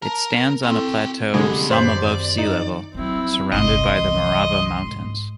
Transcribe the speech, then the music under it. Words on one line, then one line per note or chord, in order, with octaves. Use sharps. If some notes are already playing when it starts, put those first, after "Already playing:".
It stands on a plateau some above sea level, surrounded by the Morava Mountains.
A#4 A5
C4 E4 F#4 A4 G5
D3 F3 G#3 B3 D4 G4
F#2 D#3 C5 D5 B5
D#4
F3 F#3 C4 E4
G1 C2 D#5 C6
C2 E3
G#2